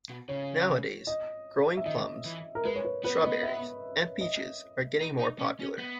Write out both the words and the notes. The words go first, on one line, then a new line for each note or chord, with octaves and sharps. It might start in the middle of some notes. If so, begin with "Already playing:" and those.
Nowadays, growing plums, strawberries, and peaches are getting more popular.
B2
C#3 C#5
D#5
E5
D#3 D#5
E3
A#4
G#3 B4
C#5
B4
B3 B4
D#5
E5
D#5
D#4
D#4
C#4
C#4
B3